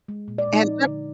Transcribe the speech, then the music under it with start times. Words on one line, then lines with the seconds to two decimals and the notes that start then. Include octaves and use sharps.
And so
0.08 G#3
0.28 A#2
0.38 D5
0.48 A#2
0.53 D#4
0.67 F3
0.86 D3